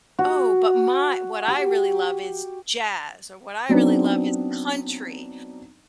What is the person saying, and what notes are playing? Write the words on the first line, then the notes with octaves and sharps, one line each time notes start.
Oh, but my what I really love is jazz or what I really love is country.
F#4
G4
F#3 B3 C4 D4 D#4